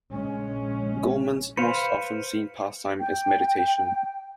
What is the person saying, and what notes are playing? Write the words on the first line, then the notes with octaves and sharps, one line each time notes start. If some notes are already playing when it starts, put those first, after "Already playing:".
Goemon's most often seen pastime is meditation.
A#1 C#3 G#3 C#4
B4 C5 F5 C#7
G5